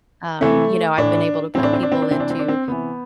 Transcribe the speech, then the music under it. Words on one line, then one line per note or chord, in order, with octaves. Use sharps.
um, you know, "I've been able to put people into,"
C3 E3 A3
A2 E3 D4
A2 E3 C4
D4
C4
D4
C4
D4
C3 E3 C4
D4
C4
D4
C4
C3 E3 B3